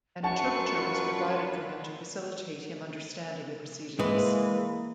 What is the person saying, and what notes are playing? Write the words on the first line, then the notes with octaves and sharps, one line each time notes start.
An interpreter was provided for him to facilitate him understanding the proceedings.
F#2 D4 F4 B4 F#5 A5 C#6
E3 G#3 A#3